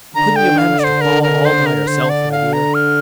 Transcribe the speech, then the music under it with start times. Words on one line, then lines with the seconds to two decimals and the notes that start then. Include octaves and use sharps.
"Couldn't you manage to fall all by yourself, my dear?"
0.15 D3 A#5
0.36 G5
0.58 F5
0.79 D5
0.84 C5
1.01 A#4
1.23 A#4
1.45 C5
1.66 A#4
1.87 D3 C5
2.09 D5
2.32 F5
2.53 A#5
2.74 F6